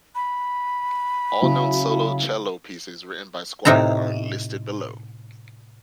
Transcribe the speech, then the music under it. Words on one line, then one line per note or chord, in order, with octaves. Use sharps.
All known solo cello pieces written by Squire are listed below.
B5
C#3 F#3 E4
A2 C3 D#4 E5 A#5